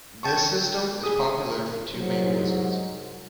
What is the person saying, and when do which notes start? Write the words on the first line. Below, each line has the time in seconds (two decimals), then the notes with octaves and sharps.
This system is popular for two main reasons.
0.23 G5 A5 C#6
1.03 G#4 D#6
1.94 C2 G#2 F#3